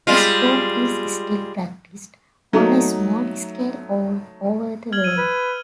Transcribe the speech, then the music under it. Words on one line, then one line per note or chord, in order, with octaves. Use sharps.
The sport is still practiced on a small scale all over the world.
G3 G#3 F4
F#3 A3 D#4
F6 G#6 F#7
E6 D#7
B4